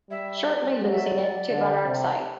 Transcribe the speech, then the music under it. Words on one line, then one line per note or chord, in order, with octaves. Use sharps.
Shortly losing it to Barakzai.
G3 E5
D5
F#3 D5
E5
D5
D3
C3